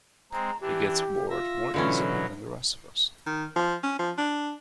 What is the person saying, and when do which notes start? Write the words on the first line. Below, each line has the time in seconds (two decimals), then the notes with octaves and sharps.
He gets bored more easily than the rest of us.
0.32 G#3 C4 A#5
0.61 E3 D4 G4
1.30 F4 E5 A#6
1.74 B2 D3 E3 F#3 C#4
3.26 D#3
3.56 F3
3.83 C#4
3.99 F3
4.18 D4